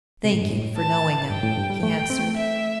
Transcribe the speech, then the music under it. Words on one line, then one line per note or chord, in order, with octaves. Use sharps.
"Thank you for knowing it," he answered.
C3
A2
G2
A2
A5
G2 G5
A2
G2
G3
A3 G5
C4
A3
E5